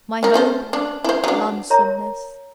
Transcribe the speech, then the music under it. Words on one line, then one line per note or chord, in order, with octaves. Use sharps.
My HOME, lonesomeness!
C#4 A#4
A3 A4 C5
D4
E4 C5
F#3 D4
A#4 C#5 E5 A#5